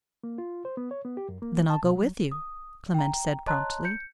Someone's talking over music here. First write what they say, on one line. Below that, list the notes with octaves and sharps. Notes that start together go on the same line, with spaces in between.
"Then I'll go with you," Clement said, promptly.
A#3
F4
C5
B3
C#5
B3
G4
F#2
A#3
A5
B2
F#3
D#6
G5 A#5
C#5 D#5 A5 A#5 C6 F#6
G6 C#7